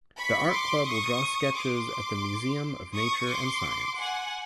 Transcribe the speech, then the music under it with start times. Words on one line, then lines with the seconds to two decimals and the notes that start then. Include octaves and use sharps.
The art club will draw sketches at the Museum of Nature and Science.
0.17 B5 C#6
0.52 C6 D6
0.87 C#6 D#6
1.56 C6 D6
2.94 C#6 D#6
3.29 C6 D6
3.98 F#5 G#5